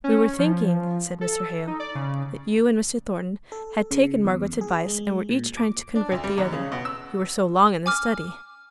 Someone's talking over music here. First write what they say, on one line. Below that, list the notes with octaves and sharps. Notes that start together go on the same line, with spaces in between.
'We were thinking,' said Mr. Hale, 'that you and Mr. Thornton had taken Margaret's advice, and were each trying to convert the other, you were so long in the study.'
C#4
F3
A4
D#4
D5
C#3
A4
C#3
E2
G#4
G#3
A#2
D6
D4
D2
G3
D#2
C#3
B2
E6
G#5 D6 F6